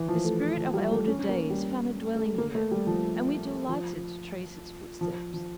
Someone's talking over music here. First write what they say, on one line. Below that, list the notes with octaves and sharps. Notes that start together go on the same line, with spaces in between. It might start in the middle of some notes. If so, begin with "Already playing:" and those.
The spirit of elder days found a dwelling here, and we delighted to trace its footsteps.
Already playing: E3
F3
A3
F3
G3
A3
C#4
C#4
A#3
G3
A3
A#3
A3
G3
F3
F3
F3
F3